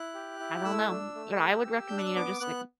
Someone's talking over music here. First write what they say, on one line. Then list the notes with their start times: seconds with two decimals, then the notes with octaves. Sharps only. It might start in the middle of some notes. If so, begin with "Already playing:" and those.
I don't know. What I would recommend, you know, just the, like,
Already playing: E4 F#6
0.14 G4
0.40 E4
0.65 A3 E6
0.90 D4
1.15 A3
1.41 G4
1.65 G4
1.87 D4 G6
1.98 F#6
2.06 E6
2.15 B3 D6
2.41 B3 F#6